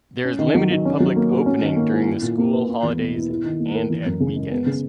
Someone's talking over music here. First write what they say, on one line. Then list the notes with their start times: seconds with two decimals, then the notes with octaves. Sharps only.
There is limited public opening during the school holidays and at weekends.
0.24 C#4
0.39 D#3
0.55 F#3
0.70 D#3
0.85 C#4
1.00 F#3
1.16 A#3
1.31 F#4
1.46 C#4
1.61 D#3
1.76 A#3
1.91 E4
2.08 E4
2.22 A#2
2.38 A#3
2.53 B4
2.68 A#3
2.83 E2
2.99 B2
3.14 E4
3.30 E4
3.44 D#3
3.59 A#3
3.75 A#4
3.90 E3
4.06 F#2
4.20 C#3
4.36 G#3
4.51 B3
4.66 C#3